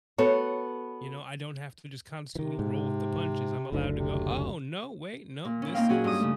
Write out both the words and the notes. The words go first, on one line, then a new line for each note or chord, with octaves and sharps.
You know, I don't have to just constantly roll with the punches. I'm allowed to go, "Oh, no. Wait. Nope. This is
B3 F#4 A4 C#5
C3 D#3 E3
G#2
F#1 D2 G#2 D3
C3
A#2
C#4 E4
A#3 C4 D#4 F5 G5
F#3 C#4 F#4 G#4
G2 D#6
C#3 A3